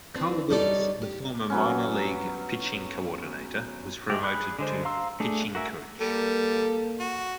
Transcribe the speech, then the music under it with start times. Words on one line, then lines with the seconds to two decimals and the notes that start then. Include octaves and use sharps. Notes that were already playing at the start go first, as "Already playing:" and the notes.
Carl Willis, the former Minor League pitching coordinator, was promoted to pitching coach.
0.14 E3 C4 D4
0.50 G3 D#4 A4 C#5 D5
1.02 G4
1.50 F#3 B3 C#4
4.10 G#3 A3 G4
4.22 G#4 B5 F#6
4.59 D3 G#3 C5
4.85 F5 A#5 C6 E6
5.20 A3 D4 G#4
5.55 F#4 A#4 E5 G#5
6.01 G3 A#3 A4
7.00 F#4